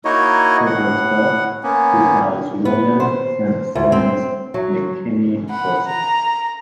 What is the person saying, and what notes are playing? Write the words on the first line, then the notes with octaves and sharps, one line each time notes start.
It was built to house William Simpson's "McKinney" horses.
A#3 D#4 E4 F#4 C#5 D#5
A2 F#5
A#3 B3 C#4
B3
C5
D2
C4
F#3
F#5 B5
A#5